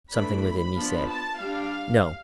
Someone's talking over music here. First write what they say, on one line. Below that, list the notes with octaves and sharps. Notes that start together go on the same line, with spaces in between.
Something within me said, "No!"
E3 A3 D4 B5
B5
F3 B3 D4
A5
G3 D4 F5